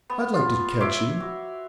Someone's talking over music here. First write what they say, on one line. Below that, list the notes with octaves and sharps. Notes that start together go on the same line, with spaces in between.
I'd like to catch you!
B3
F4
C#5 E5 C6 D6
F#4